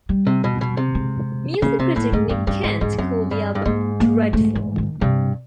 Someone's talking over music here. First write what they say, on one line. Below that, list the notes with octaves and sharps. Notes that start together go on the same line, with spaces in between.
Music critic Nick Kent called the album "dreadful".
G3
C3
B2
B2
C3
G#3
C#3 A#3
C3 B3
A2 A#3
G#2 A3
G2 B3
G2 C#4
G#2 C#4
G#2 C#4
F#2 C4
G2
G2
G#2 A#3
A#3
A3
E3
D#3
G2 C3